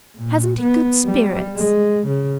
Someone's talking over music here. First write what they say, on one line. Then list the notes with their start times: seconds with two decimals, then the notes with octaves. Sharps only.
"Hasn't he good spirits?"
0.17 A#2
0.61 B3
1.06 G3
1.56 G#3
2.07 C#3